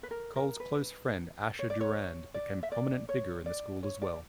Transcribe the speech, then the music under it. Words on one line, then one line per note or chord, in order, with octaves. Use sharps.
Cole's close friend, Asher Durand, became a prominent figure in the school as well.
B4
A#4
A#4
B4
C#5
D5
C#5
D5
E5
D5
C#5
D5
C#5
D5